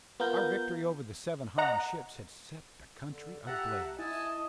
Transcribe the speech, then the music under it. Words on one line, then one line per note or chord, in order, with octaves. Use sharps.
Our victory over the seven Han ships had set the country ablaze.
B3 F4 A#4 G6
D#5 F#5 A#5
D3
G4 E5 F#5 A5 A#5
E4 D#5 G#5 A5